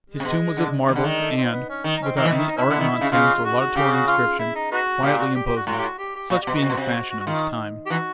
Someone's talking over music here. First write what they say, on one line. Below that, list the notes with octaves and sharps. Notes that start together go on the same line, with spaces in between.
His tomb was of marble, and, without any art nonsense or laudatory inscription, quietly imposing--such being the fashion of his time.
G#3
C3
B2
D3
D#3 G3
D3
D#3 G#3
A3
C4
B3
C#4
D#3
D#4
C#4
C4
D#3 A#3
E3
E4
D#3
E4
D#4
B3 C#4 E4
D3
D#3
C#3
C#3 F4
F#4
F#4
C#3 G4
F#4
F4
E4
D#4
B3 D#4 F#4
A#2 G4
F#4
G4
G4
F#4
A2 F#4
G4
F#4
G4
G4
A#2 F#4
B2 G4
B3 D#4 F#4
C3
B2
C3
F#4
F#4
F#4
D#3 F4
G4
E3 B3 D#4 F#4